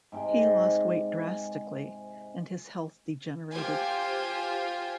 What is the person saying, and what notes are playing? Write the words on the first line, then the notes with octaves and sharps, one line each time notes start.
He lost weight drastically and his health degenerated.
G#2 C3 G#3 G5
F4 G4 C5 G5 G#5